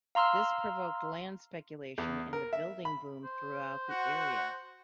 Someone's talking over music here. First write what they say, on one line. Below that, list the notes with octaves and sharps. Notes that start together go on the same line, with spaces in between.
This provoked land speculation and a building boom throughout the area.
F5 A#5 C6 E6 F6
E2
A#4
E5
B5
C5
F#4 F#5